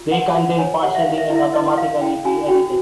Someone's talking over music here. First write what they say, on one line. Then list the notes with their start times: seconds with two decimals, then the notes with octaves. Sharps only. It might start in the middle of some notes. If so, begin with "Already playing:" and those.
They can then partially and automatically be edited.
Already playing: F4
0.11 A4 F#5
0.35 F4 F#5
0.59 C#5 G#5
0.82 G4 F#5
0.95 E5
1.00 F5
1.06 E4
1.18 E5
1.30 E4
1.36 E5
1.53 B4 D#5
1.77 B4 F5
2.01 E4 G5
2.25 F#4 G#5
2.48 F#4 G5